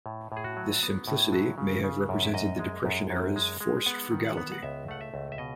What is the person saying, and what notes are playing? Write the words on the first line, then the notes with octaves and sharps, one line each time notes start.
This simplicity may have represented the depression era's forced frugality.
A2
A2 G#4
F#4
F#3
B3
A2
F#3
C#3
C#3
F#2
E5
F#2 D#5
G#3
F#2
F#2
G#3
G#3
B3 F#5
D#3
F#5
B3
F#5
C#2 E5
A3 F#5
E5
C#2
E5
B2 D#5